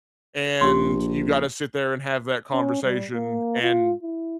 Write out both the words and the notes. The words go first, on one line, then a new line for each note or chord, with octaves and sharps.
and you gotta sit there and have that conversation. And
A#1 G4 C6
C#4
G3
A#3
F4
E4